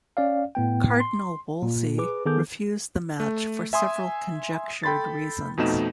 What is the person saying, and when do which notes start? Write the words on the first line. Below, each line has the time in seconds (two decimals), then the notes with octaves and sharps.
Cardinal Wolsey refused the match for several conjectured reasons.
0.17 C#4 D5 F5
0.55 A2 B3 G5
1.00 C6
1.62 A#2
1.98 G#4 B4 D6
2.26 D#3 B3 G#4 A4 D6 G6
3.20 A3
3.73 E5 G#5 C6 D#6
4.84 A4 G5 B5 C6 A6
5.57 F2 B2 A3 D#4 E7